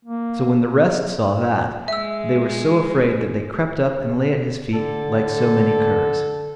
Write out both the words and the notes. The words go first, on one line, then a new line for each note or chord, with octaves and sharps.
So when the rest saw that, they were so afraid that they crept up and lay at his feet like so many curs.
A#3
G#3 E5 E6
D3 A4